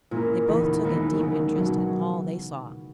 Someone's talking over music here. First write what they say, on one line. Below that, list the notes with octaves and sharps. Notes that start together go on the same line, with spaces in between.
They both took a deep interest in all they saw.
A#2 G#3 C#4 E4 A#4
E2 C#3 E3 B3 D#4
D#2 D#3 G#3 B3 D#4
D#2 C#3 F#3
B2 F#3